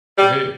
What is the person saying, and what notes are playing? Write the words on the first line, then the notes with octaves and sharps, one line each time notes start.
Or hey
G3